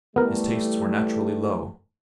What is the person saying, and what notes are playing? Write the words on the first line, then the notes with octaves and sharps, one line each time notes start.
His tastes were naturally low.
E3 G3 A3 B3 A#4